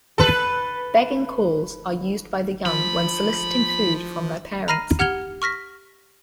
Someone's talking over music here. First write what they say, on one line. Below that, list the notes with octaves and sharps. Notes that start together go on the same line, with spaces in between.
Begging calls are used by the young when soliciting food from their parents.
A4 B4
F3 B5
A#5 B5 F6 A#6 C7 D#7
G4 F#5 F6 G#6 F7 G7
C#6 F6 A#6 B6